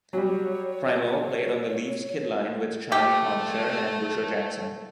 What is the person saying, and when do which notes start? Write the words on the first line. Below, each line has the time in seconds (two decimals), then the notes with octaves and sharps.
Primeau played on the Leafs' Kid Line with Charlie Conacher and Busher Jackson.
0.13 F#3 G3 C#5
2.92 A3 G4